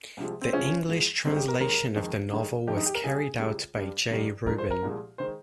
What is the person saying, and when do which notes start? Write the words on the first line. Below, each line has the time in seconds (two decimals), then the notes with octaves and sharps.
The English translation of the novel was carried out by Jay Rubin.
0.17 C2 C3 F3 G#3
0.41 C4
0.53 C2 C3 F3 G#3 C#4
0.89 G#2 F3 G#3
1.25 G2 D#3 G#3 C4
1.36 G4
1.48 A#4
1.60 D#2 D#3 G#3 A#4
1.96 F2 D#3 G#3
2.32 G2 D#3 G#3
2.67 F2 D#3 G#3 G4
2.77 D#4
2.86 G4
2.95 A#4
3.03 C2 C3 G3 G#4
3.40 C#2 C#3 G3
3.76 G2 G3
4.11 G2 D#3 G3
4.47 G2 F3 G#3 A#4
4.58 C5
4.71 A#4
4.83 C2 A#2 F3 G#3
5.18 D#3 G#3 C5